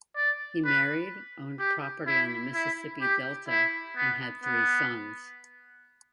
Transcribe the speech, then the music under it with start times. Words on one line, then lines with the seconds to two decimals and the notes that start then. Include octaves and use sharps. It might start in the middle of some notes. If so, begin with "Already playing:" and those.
He married, owned property on the Mississippi Delta, and had three sons.
0.17 D5
0.65 B4
1.60 G4
2.07 E4
2.55 E4
3.01 G4
3.49 E4
3.97 B3
4.44 B3